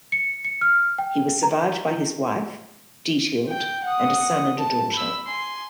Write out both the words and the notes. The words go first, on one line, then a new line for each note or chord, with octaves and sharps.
He was survived by his wife, Diethild, and a son and a daughter.
C#7
C#7
F6
G5
A#5
E4
G5
F#5 D#6
A5
B5 E6
G#5 C6